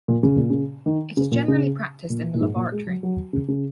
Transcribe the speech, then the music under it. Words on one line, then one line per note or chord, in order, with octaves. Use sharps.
It is generally practised in the laboratory.
A#2
C#3
A#2
C#3
D#3
C#3
A#2
C#3
A#2
A#2
G#2
A#2
G#3
F#3
F#3
C#3
C#3